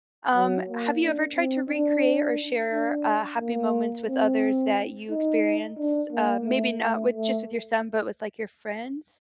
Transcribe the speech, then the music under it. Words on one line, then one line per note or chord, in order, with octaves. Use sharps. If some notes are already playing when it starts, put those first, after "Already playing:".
um, have you ever tried to recreate or share, uh, happy moments with others that you experienced? Uh, maybe not with just with your son, but with, like, your friends?
F#3
A#3
D4
C4
D4
D4
A#3
C4
D#4
D4
A#3
A3
A3
A3